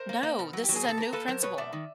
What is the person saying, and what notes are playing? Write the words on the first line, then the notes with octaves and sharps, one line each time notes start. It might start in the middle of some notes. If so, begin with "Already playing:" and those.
No, this is a new principal.
Already playing: A#4 C5
A#3
A#3
B2
F#3
G4
F#3
G#4
B2
A4
A#3 A#4
A#3 A4 B4
F#3 A#4 C5
B2 B4 C#5
B2 D5 E5
D#3